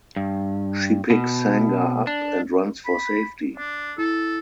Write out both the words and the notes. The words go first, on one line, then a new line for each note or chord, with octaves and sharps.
She picks Sangha up and runs for safety.
G2
B2
D4
B5
D4
E4 A4